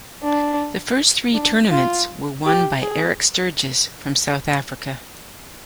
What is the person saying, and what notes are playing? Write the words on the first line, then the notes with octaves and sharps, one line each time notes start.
The first three tournaments were won by Eric Sturgess from South Africa.
D4
D4
F4
G4
G#4